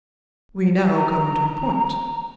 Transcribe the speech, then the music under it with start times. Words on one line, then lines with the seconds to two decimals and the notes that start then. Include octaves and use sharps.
We now come to the point.
0.95 A#5